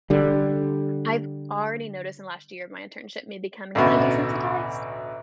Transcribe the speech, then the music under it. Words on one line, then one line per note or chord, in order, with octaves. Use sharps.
I've already noticed in the last year of my internship me becoming kinda desensitize,
D3 G3
A1 D2 B2